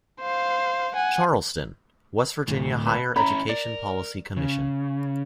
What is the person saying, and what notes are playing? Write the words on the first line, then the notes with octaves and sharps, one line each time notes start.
Charleston: West Virginia Higher Education Policy Commission.
C5 F5
F#5 G#5
D2 A2
B4 A5 B5
C#4 E4 A#5 B5
A#4 D5
C#3